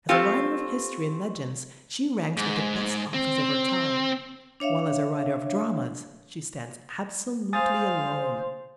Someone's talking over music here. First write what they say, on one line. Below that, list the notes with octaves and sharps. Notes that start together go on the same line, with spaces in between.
As a writer of history and legends she ranks with the best authors of her time, while as a writer of dramas she stands absolutely alone.
A3 C4 F4 G4
G#2
C4
D4 C#5 E5 F5
C5 F5 G#5 D#6 A6